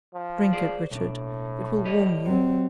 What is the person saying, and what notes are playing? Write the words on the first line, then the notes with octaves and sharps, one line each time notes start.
"Drink it, Richard, it will warm you."
F3
G#4 C5 D5
B1 A2 D4
G4 D5 D#5
F#3 C4